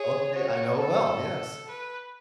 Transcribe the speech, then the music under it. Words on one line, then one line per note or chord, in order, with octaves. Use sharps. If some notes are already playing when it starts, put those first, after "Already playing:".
Okay. I know it well, yes.
Already playing: G#4 C#5
F#4
A4
B4